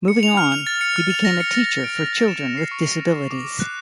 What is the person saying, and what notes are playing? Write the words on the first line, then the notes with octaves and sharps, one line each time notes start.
Moving on, he became a teacher for children with disabilities.
C#7
F7
F6
F7
A6
C#7
F6
F7
A#6
C#7
A6
A6
D7
F7
F6
E7
A6
C7
C#6
C7
F6
A6
D6
D6
F#6